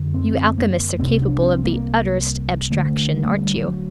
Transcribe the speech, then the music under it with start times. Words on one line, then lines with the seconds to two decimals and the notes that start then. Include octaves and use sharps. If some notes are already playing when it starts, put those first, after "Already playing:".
'You alchemists are capable of the utterest abstraction, aren't you?'
Already playing: F#2 D3
0.14 C4
0.58 A#3
0.99 C2 C3 C4
1.22 D4
1.42 C4
1.64 A#3
2.71 D2 D3 A3
3.14 G3
3.24 A3
3.34 G3
3.57 F#3